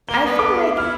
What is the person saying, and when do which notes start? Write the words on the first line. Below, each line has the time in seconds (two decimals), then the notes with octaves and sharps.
I feel like
0.09 A#3 G7
0.25 G3 B3
0.39 D6
0.78 E4 F6